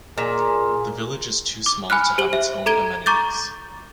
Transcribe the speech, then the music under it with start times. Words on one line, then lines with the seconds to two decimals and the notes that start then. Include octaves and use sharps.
The village is too small to have its own amenities.
0.18 A#2 G#4
1.66 D6
1.90 G#5 B5 F6 F#6
2.18 G4 C5 F#7
2.33 E5
2.66 A4 A#5 G#6 D7 G7
3.06 A#5 C#6 D6 G6 A6